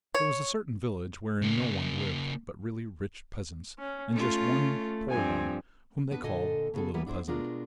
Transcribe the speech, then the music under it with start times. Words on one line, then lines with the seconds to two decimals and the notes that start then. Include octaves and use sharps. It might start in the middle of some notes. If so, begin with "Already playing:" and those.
There was a certain village wherein no one lived but really rich peasants, and just one poor one, whom they called the little peasant.
0.15 C#5
1.42 C#3 A#3
3.79 C#4
4.13 A3 C#4 F4
5.10 G2 F3 C4 G#5
6.11 B3 D4 B4
6.23 A#2 D3 A4 D#5 G#5
6.74 C#3 B3 G#4 A4
6.94 E3 G3 A#3 B3 B4
7.06 D4 E4 A4 C5
7.28 B2 G#3 D4 F4 A#4